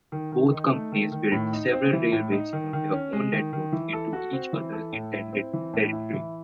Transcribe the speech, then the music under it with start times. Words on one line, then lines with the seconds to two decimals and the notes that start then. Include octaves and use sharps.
Both companies built several railways from their own networks into each other's intended territory.
0.12 D#3
0.32 D#3
0.52 D#4
0.73 A3
0.92 D#3
1.12 D#3
1.32 A2
1.53 D#4
1.72 C4
1.93 E3
2.12 A2
2.32 D#4
2.53 D#3
2.73 D#3
2.92 C#4
3.13 G#3
3.32 D#3
3.53 D#3
3.72 E3
3.93 A4
4.13 F#4
4.33 C4
4.53 E3
4.72 A4
4.92 A2
5.13 E4
5.33 C4
5.53 E3
5.73 A2
5.93 E4
6.13 E3